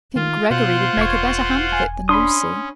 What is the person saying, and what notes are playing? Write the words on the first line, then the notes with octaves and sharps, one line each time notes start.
"I think Gregory would make a better hand of it than Lucy."
D#3 F4
B2 F4 C5 F#5
E1 C#6 G#6
G#5
C#4 D4 B5 C6 D#6